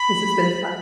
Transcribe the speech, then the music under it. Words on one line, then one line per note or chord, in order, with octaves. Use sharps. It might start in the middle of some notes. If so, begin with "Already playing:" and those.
This has been fun.
Already playing: B5